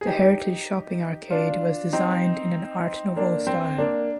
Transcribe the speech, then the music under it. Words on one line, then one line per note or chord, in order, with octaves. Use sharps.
The heritage shopping arcade was designed in an Art Nouveau style.
G#4
D#4 G4
D4 F4
C4 D#4
A#3 D4
C4
A#3 D4